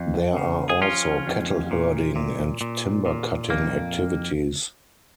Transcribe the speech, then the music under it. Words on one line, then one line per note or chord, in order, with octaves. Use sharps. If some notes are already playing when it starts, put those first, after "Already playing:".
There are also cattle-herding and timber-cutting activities.
Already playing: F2
C#3
G#4
F3 C#4 F4
F2
A#2
A#2
A#2
A#2
F2 A#3